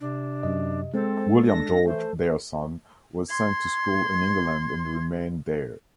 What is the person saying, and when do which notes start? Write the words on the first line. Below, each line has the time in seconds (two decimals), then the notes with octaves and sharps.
William George, their son, was sent to school in England and remained there.
0.01 C3 D4
0.43 F#2 D#5
0.94 G#3 C4 A4
1.47 D4 A#6
1.86 E3 A3 C5
3.29 C6 G#6